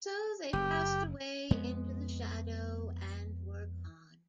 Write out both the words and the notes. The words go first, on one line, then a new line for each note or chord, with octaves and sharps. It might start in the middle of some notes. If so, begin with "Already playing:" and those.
So they passed away into the shadow and were gone.
F#1 G4
F2 G#3 B3